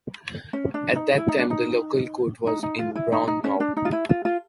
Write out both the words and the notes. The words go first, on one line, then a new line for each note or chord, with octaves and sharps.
At that time, the local court was in Braunau.
C#4
D4
D#4
E4
D#4
D4
D#4
D#4
D#4
F4
E4
D#4
D#4
C#4
D4
D#4
F4
E4
F4
F4